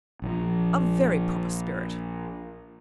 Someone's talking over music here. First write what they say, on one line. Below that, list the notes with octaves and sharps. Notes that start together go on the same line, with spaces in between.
A very proper spirit!'
A#1 F3